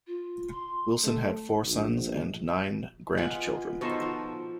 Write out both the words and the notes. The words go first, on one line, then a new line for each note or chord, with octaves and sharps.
Wilson had four sons and nine grandchildren.
F4
C6
A3
A#1
G#3 B3 F4 F#5
B2 F3 D#4 F#4 A4 C5
F3